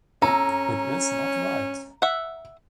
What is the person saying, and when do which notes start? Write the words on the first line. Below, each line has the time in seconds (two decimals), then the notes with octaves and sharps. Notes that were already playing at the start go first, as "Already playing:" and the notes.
It is not right!
0.22 C#4 A4 A#5
2.02 E5 F#5